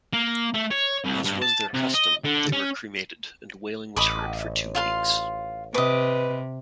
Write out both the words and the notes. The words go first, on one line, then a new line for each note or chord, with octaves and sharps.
As was their custom, they were cremated and wailing was heard for two weeks.
A#3
A3
C#5
C2
G2
A5
C3
D#5
D3
C#4
A1 D#5 B5 D6
F4 F5 C6
C3 B4 D#5 D6